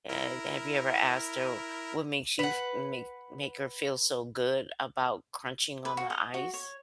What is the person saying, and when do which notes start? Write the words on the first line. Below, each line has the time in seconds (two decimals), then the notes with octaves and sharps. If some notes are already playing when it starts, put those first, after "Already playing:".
eh, have you ever asked her what makes you f make make her feel so good about crunching on the ice?
0.09 E4 A#4
2.39 B4 F#5
5.85 B4
5.97 F#4
6.10 D#5
6.34 F#4
6.53 C#5